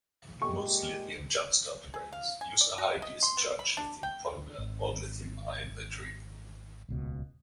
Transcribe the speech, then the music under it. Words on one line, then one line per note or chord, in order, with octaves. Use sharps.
Most lithium jump starter brands use a high discharge lithium polymer or lithium-ion battery.
A#2 G#3 G4 C#6
G#4
F5
G#5
D5
F#4
D#5
C6
B3
B5
D4
G5
G#1
D#1 C#2 B2